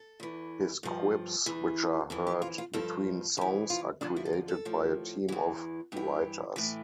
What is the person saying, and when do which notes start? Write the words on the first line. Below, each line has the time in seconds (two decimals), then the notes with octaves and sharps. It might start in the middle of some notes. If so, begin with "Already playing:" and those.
His quips which are heard between songs are created by a team of writers.
Already playing: A4
0.20 E2 E3
0.83 G2 F3
1.46 E2 E3
2.10 F2 E3 A4
2.27 G4
2.42 F4
2.58 F4
2.73 G2 F3 A4
3.37 F2 E3 G4
3.70 F4
4.01 F2 D3 F3 D4
4.16 E4
4.25 A4
4.33 A#4
4.48 A4
4.65 A2 F3
5.29 E2 E3
5.92 G2 E3 G4
6.56 A2 E3